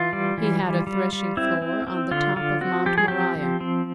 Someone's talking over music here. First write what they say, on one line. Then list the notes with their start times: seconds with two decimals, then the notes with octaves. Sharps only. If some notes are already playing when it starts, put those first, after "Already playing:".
He had a threshing floor on the top of Mount Moriah.
Already playing: E3 F4
0.13 G3
0.38 E3
0.63 G3
0.87 G3
1.13 G3
1.37 C4 E4
1.62 C4
1.87 C4
2.11 D3 F4
2.36 D3 F4
2.61 C4 F#4
2.86 F3 G4
2.98 G#4
3.08 C4 G4
3.36 F3
3.60 C4